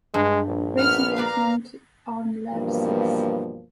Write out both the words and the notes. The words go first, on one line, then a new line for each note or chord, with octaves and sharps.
Racing resumed on lap six.
G2 G#3
A#1
B3 F#5 F6
A#4 B4 D5 F5 A#5
G2 B2 E3 F3 A#3